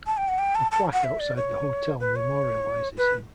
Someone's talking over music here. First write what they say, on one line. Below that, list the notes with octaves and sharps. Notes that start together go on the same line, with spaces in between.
A plaque outside the hotel memorializes him.
A5
G5
F#5
G5
A5
A5
F#5
E5
D5
C#5
B4
C#5
B4